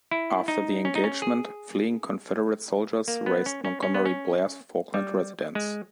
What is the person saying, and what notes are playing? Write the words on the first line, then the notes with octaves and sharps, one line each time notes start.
After the engagement, fleeing Confederate soldiers razed Montgomery Blair's Falkland residence.
E4
D#4
C#4
D#4
C#4
G#4
A#3
B3
C#4
C#4
C#4
B3
C#4
G3
G#3